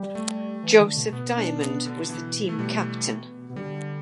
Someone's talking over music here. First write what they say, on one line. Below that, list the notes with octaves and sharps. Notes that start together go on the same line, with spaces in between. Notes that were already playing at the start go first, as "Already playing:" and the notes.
Joseph Diamond was the team captain.
Already playing: G3
A3
E3
D3
B2
B2 B3
D4
B3
D3
E3
A3
B2 G3
B2
D3 G3